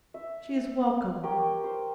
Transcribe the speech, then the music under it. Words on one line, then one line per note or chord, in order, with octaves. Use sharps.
"She is welcome."
E5
G4 A#4 C#5 G5
C5